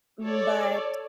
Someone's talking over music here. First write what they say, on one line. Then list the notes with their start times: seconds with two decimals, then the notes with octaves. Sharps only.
Mm, but
0.23 A4 C#5 D5